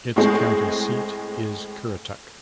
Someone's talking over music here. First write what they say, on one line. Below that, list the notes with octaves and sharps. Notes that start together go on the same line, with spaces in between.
Its county seat is Currituck.
A2 G#3 C4